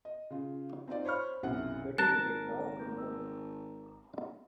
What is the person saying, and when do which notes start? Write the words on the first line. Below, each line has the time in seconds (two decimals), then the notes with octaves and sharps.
Better to get half than nothing.
0.05 D#5
0.30 C#3 F4
0.87 C4 D#4 F4 D5
1.05 C5 C#5 B5 C#6 F6
1.43 B1 F#2 C3 E4 F#5
1.98 G#1 A#4 A5 F#6